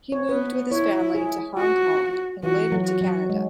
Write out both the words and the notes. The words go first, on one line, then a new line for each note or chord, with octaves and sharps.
He moved with his family to Hong Kong and later to Canada.
C#5
B3 B4
E4 C#5
G#4
F#4
E3 F#4
F#3
F#4
F#3
G#3